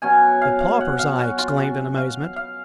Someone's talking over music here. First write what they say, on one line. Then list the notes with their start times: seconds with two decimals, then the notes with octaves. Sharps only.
"The paupers!" I exclaimed, in amazement.
0.02 B2 F#3 C#4 G#5
0.42 F5
0.60 F5
0.81 F#5
0.99 F5
1.19 F#4
1.38 F4
1.58 F#4
1.97 F5
2.36 F5